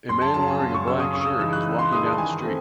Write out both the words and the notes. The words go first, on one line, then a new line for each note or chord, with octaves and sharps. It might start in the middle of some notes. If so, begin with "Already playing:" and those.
A man wearing a black shirt is walking down the street.
F#2 C6
A5
C#3 F#3 C#4 A5
G#5
F#2
C#6
C#3 F#3 C#4 E6
D#6
C#3 C#6
D#6
E6
E3 G#3 D#4 E6
F#6
C#3
C6
E3 G#3 D#4 D#6
A5
D#3 G#5
A3 C4